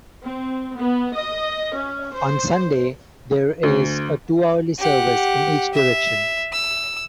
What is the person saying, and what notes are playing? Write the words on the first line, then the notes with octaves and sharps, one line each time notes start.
On Sunday, there is a two-hourly service in each direction.
C4
B3
D#5
C#4
C5
D2
G4 F#5
E5
E6